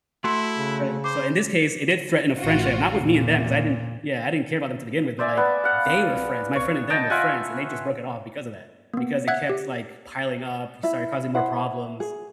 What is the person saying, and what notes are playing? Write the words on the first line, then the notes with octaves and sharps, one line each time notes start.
Uh, so, in this case, it did threaten a friendship- not with me and them 'cause I didn't yeah, I didn't care about them to begin with- but, like, they were friends- my friend and them were friends- and they just broke it off because of that because it kept, like, piling up, he started causing more problems,
A3 E4 F#4 A4 C6
C#3
C5 D6
A1 F4 F#4
E2 A#2
C5 D5 E5 G#5
B3
F5 F#5
C#5
D#5 G5 A5
F4 E5 F#5 G#5
A#3 B3
E5 F#5 F#6 G#6
G4
E4 E5
E4 C5 F#5
G#4